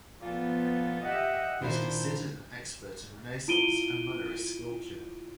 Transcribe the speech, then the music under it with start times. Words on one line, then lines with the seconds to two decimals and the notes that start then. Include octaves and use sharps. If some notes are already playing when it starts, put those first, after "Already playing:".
He was considered an expert in Renaissance and mannerist sculpture.
0.21 A#2 F3 A3 B3 F4
1.04 G4 D#5 E5 F#5
1.62 A#2 D#3 G3 D4 E4 C5
3.48 E4 F4 D7 D#7 G7